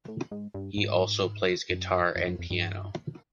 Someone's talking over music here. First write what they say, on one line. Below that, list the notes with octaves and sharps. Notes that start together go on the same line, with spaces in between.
He also plays guitar and piano.
A2
G#2
G2
G#2
F#2
F2
F#2
F2
G2